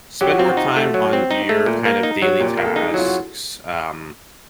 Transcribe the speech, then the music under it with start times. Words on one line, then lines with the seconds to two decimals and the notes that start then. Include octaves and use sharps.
Spend more time on your, kind of, daily tasks, um
0.21 F#3 G4
0.30 F#4
0.38 C4 F4
0.47 F#4
0.57 D#4
0.76 A3
0.94 F#3
1.13 C4
1.31 D#4
1.49 A3
1.66 A#2
1.85 A#3
2.03 D#4
2.22 F#3
2.39 A#2 G4
2.57 A#3
2.65 A4
2.76 D#4 G#4
2.90 E4
2.94 F#3 F4
3.06 F#4